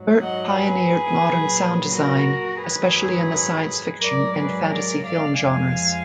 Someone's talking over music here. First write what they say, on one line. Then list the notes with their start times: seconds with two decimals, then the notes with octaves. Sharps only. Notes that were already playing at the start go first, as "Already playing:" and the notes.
Burtt pioneered modern sound design, especially in the science-fiction and fantasy-film genres.
Already playing: G#2 F#3
0.21 D#5 F#5
0.55 G#4 B4
1.25 A#2 F#3
1.94 F#4 A#4
2.63 G#2 D#3 F#3 G#4 B4
4.01 G#2 F#3 A#4 D5
4.35 G#4 B4
4.69 A#4 D5
5.04 D5 F5
5.39 F2 F3 G#3 F5 G#5